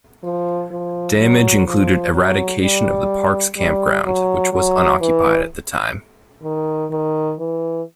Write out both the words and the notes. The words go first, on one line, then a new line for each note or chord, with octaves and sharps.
Damage included eradication of the park's campground, which was unoccupied at the time.
F3
F3
F#3
F3
F#3
G3
G3
F#3
F#3
E3
D#3
D#3
E3